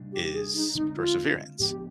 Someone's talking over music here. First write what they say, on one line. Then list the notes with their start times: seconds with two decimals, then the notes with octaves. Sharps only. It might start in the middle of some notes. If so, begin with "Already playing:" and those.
is perseverance,
Already playing: C3 G3 D4
0.12 G4
0.33 G#4
0.54 D#4
0.75 D3 G#3 C4 D#4
0.96 F4
1.59 G#2 F3 B3 D4 G4